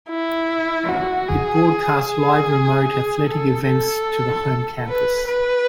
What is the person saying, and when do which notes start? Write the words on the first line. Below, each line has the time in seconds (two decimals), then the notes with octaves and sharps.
It broadcast live remote athletic events to the home campus.
0.10 E4
0.89 F#4
1.29 G#4
2.08 G#4
2.89 G#4
3.28 A4
3.68 A4
4.88 B4
5.28 B4